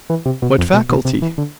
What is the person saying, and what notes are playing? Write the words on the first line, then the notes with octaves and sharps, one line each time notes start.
What faculty?
E3
C3
B2
F2
B2
B2
C3
E3
D3